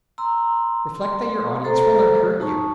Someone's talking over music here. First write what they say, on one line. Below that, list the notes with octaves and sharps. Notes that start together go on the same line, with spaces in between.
Reflect that your audience will not hurt you.
A#5 C6 E6
C6
A4 C5 A#5
D#4 A5 C#6